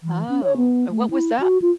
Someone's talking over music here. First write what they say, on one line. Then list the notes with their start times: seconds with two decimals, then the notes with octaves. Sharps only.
Oh, and what was that
0.03 E3
0.29 C#4
0.43 C#5
0.57 B3
0.91 A3
1.11 E4
1.40 F#4
1.62 F4